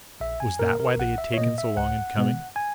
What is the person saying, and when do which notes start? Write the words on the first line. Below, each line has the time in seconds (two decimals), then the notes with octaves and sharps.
Was that why they had taken so long in coming?
0.20 A#1 E5
0.40 G#5
0.59 A#2 A#3 A#4
0.80 A#4
0.99 A#1 F#5
1.18 E5
1.34 C#5
1.38 A#2 A#3 D#5
1.58 E5
1.77 C#2 F#5
2.17 B2 G#3 B3
2.56 G#5